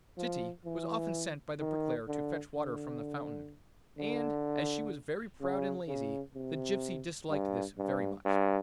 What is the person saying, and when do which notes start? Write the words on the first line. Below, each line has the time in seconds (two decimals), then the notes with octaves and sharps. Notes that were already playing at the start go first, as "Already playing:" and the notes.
Titty was often sent by the bricklayer to fetch water from the fountain, and as she was very proud and lazy the gypsy disliked this very much.
0.17 F3
0.65 E3
1.60 D#3
2.08 D3
2.56 D3
3.98 D3
5.41 C#3
5.88 C#3
6.35 C3
7.31 G2
7.78 G2
8.26 G2